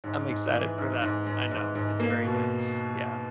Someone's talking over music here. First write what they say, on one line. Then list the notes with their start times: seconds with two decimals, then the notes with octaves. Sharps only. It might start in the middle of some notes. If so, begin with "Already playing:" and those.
I'm excited for that. I know, it's very nice, yeah,
0.04 G#2
0.29 G#2
0.53 E3
0.78 G#2
1.02 G#2
1.27 G#2
1.51 G#2
1.75 G#2
2.00 A#3
2.24 B2